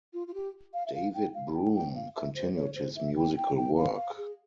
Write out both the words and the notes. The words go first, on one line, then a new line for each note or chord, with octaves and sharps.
David Broom continued his musical work.
F4
F4
G4
F5
E5
F5
G5
F5
G5
G5
F5
E5
C5
C#5
C5
E5
G5
G5
G5
F5
F5
G#4